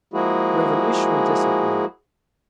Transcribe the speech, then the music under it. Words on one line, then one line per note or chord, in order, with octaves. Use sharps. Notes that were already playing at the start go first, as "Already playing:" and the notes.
Revolutionary discipline!
F3 G#3 A#3 E4 F#4 G#4